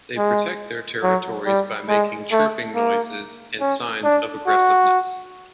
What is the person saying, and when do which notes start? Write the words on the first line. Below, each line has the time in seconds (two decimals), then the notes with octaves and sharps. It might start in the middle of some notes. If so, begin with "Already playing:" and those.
They protect their territories by making chirping noises and signs of aggressiveness.
0.18 G#3
1.03 F#3
1.46 G3
1.89 G#3
2.32 A3
2.75 A#3
3.61 C#4
4.04 D4
4.47 F#4